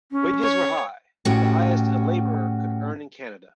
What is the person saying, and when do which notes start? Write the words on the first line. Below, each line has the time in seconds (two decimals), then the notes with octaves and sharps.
Wages were high, the highest a labourer could earn in Canada.
0.11 C#4
0.42 C#5
1.25 A2 C#4 F#4 G4